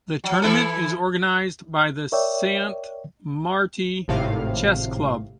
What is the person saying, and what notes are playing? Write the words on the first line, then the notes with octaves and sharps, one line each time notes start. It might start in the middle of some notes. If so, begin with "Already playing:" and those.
The tournament is organized by the Sant Martí Chess Club.
F#3
E3 E4 A4
A#4 C#5 D5 E5 G5
G#1 A2 C3 F5